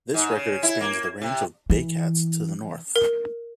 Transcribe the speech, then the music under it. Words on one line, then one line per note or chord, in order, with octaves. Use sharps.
This record expands the range of bay cats to the north.
G#2
C#3
E4
A#3
C3
E3
A#4